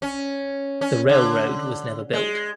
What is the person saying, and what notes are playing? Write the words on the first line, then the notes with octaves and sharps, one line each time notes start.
The railroad was never built.
C#4
C#4
D3
G#3